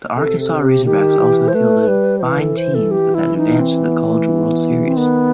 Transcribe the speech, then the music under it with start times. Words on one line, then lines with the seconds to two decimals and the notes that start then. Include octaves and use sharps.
The Arkansas Razorbacks also fielded fine teams that advanced to the College World Series.
0.17 C3 A4
0.40 A4
0.62 G4
0.86 D#3 G4
1.19 E3
1.48 C5
1.55 A3 B4
1.88 G3
2.18 C5
2.23 E3 B4
2.40 A4
2.57 C5
2.75 A4
2.91 G4
3.14 E4
3.37 D#4
3.60 C4
3.83 B3
4.06 A3
4.28 B3
4.87 C4
4.97 D#3 B3